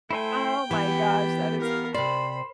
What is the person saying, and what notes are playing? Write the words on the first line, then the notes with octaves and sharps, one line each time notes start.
Oh my gosh, that is hi
A3 E4 C5 G5 G#5
E3 B3 G4
A#4 F5
C3 C5 D5 B5